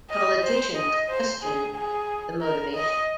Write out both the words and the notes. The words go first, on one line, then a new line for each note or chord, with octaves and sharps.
Politicians questioned the motivation.
D#5
C5
D#5
C5
G#4
G#4
A#4
D#5